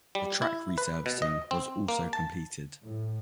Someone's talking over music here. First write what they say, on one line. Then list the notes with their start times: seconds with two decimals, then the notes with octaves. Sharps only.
The track resurfacing was also completed.
0.15 G3
0.42 E4
0.78 B4
1.06 B2
1.22 D#5
1.51 C4
1.88 A#3
2.13 A5
2.83 A2